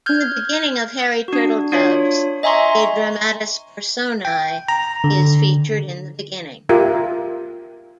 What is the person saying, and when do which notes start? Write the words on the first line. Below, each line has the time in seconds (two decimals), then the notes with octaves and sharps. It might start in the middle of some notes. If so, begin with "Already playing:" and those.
In the beginning of Harry Turtledove's a dramatis personae is featured in the beginning.
0.06 F6 G6 G#6
1.28 D4 F#4
1.72 D4 F4 C#5
2.43 D#5 E5 G#5 A#5 C6 C#6
4.25 G5
4.69 A#5
5.04 D3
6.69 F4 G4 A#4 E5